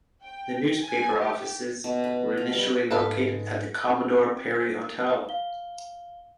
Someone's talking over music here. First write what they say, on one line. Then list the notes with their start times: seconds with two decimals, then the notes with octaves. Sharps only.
The newspaper offices were initially located at the Commodore Perry Hotel.
0.22 G5
0.80 G#5
1.18 G4
1.84 B2
2.04 B4
2.37 F4
2.54 G3
2.91 G#2 A4 B4 F5
3.86 C4
5.29 F5 G7